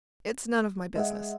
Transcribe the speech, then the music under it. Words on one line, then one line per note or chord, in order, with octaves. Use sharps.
It's none of my business.
G#3 D#5 E5 F#5